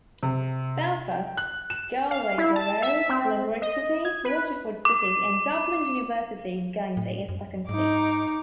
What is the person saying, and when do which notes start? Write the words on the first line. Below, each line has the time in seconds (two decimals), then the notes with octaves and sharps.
Belfast, Galway Borough, Limerick City, Waterford City and Dublin University gained a second seat.
0.23 C3
1.11 G5
1.37 F#6
1.70 E7
2.11 F5
2.38 E4
2.56 A5
2.82 E5
3.09 C4
3.62 D#5
4.05 G#6
4.25 B4
4.85 D6
6.97 A2
7.29 F#2
7.69 G#2 D#4 D6